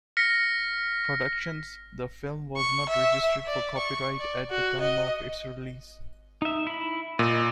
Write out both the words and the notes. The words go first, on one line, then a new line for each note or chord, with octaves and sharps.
Productions, the film was not registered for copyright at the time of its release.
F6 A#6 B6 C#7
C#6
E5
D5
C#6
D5
F#4
D#5
D#4 E5
E4 B5
A#2 D#5